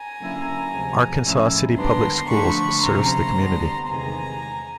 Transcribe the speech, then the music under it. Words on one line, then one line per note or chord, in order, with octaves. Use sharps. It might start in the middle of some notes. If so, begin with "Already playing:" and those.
Arkansas City Public Schools serves the community.
Already playing: G#5 A#5
D3 F#3 A#3 C#4 E4
D2 C3 F3 G#3
A2 F3 G#3 C#4 E4
D#2 D3 G3 B3 D4 A#5 C6
D3 F3 A3 D4 B5 C#6
D2 C3 F3 A3 C#4 A#5 C6
D3 G3 B3
E2 C3 D#3 G#3 G#5 A#5